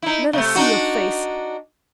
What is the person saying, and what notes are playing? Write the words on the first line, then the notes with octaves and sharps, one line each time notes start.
Let us see your face!
D#4 E4
C3 A3
D4 D#4 F#4